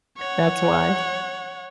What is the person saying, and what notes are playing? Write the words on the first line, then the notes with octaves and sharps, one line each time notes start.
That's why.
C#5 F#5